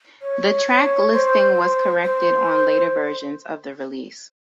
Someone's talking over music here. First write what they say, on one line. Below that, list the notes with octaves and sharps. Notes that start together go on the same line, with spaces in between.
The track listing was corrected on later versions of the release.
C#5
C#5
C5
C5